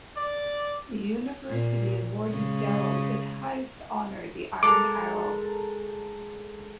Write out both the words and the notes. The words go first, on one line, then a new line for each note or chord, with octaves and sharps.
The University awarded Daryl its highest honor, the Iron Arrow.
D5
A#2
C#3 G#3
G#3 A4 A#4 D6